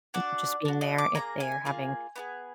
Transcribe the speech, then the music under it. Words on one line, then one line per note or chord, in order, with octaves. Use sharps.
n just being there if they're having,
D4 F#4 D5
D4 F#4
D#5
D6
A#3 F4 G#4 A#5
G#5
A#3 F4 G#4
B3 F4 G#4